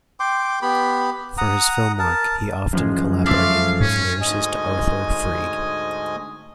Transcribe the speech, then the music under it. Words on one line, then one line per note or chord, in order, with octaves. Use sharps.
For his film work, he often collaborated with lyricist Arthur Freed.
G5 C6 D6
B3 G4 B5
F#5 A#5 D#6
A#4 A5
G1 F#2 E3 F3 G#3 C#4
A3 C4 F5 D6
G#2 C#4
D2 G#2 D#5 G#5